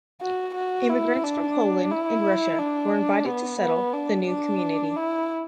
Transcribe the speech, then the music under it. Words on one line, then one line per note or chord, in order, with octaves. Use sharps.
Immigrants from Poland and Russia were invited to settle the new community.
F#4
F#4
E4
D4
E4
D4
B3
B3
D4
D4
E4